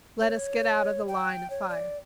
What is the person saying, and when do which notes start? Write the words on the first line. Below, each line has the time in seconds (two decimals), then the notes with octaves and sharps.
"Let us get out of the line of fire."
0.21 C#5
1.08 G5
1.50 C#5
1.69 D5